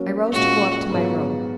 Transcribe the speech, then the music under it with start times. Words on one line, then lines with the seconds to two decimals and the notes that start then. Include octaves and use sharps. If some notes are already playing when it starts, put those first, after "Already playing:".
I rose to go up to my room.
Already playing: F#3 A#3 C#4 F#4
0.32 A#2 G#3 C#4 F#4
0.90 G#2 F#3 B3 F4